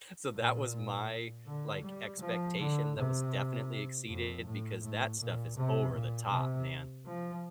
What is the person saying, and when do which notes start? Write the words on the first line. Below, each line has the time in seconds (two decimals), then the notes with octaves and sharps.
So that was my, like, expectation that was definitely exceeded, because that stuff is over the top, man.
0.34 A#2
1.47 D3
1.83 G3
2.21 F3
2.58 D3
2.96 C3
4.08 F2
4.45 A2
4.82 A2
5.20 A#2
5.57 C3
5.93 A#2
6.31 C3
7.06 F3